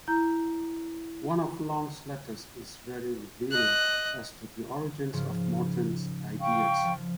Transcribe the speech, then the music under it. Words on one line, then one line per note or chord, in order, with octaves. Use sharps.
One of Long's letters is very revealing as to the origins of Morton's ideas.
E4 A#5 G6
D#5 F#6
G#2 C#3 F3
F5 G5 C#6
F3